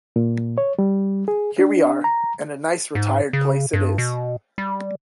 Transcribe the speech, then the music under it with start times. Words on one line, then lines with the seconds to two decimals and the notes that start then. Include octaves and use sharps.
Here we are, and a nice retired place it is.
0.16 A#2
0.58 C#5
0.79 G3
1.28 G#4
1.59 D4
2.04 A#5
2.95 G#2
3.33 C#3
3.73 G2
3.98 B2
4.58 G3